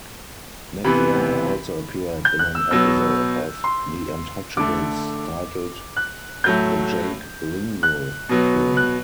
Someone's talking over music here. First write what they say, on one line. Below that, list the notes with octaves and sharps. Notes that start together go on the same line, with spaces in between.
McGraw also appeared in an episode of "The Untouchables" titled "The Jake Lingle Killing".
C3 E3 B3 B5
G6
F#6
E6
B2 F#3 B3 E6
C6
D3 A3 D6
F#6
A2 F#3 A3 G6
F#6
B2 F#3 B3
F#6